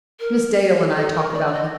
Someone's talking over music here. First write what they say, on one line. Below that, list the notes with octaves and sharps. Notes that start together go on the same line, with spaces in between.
Miss Dale and I talk about him.
A#4
A4
G4
A4
A#4
D5
D5
D#5